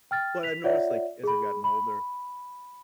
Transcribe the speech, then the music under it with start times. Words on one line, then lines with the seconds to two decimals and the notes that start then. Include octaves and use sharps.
But I've noticed, like, as I've gotten older
0.11 G5 F6 A6
0.43 B6 F7
0.64 F4 C#5 D5 E5 F#5
1.24 G#4 B5
1.64 B5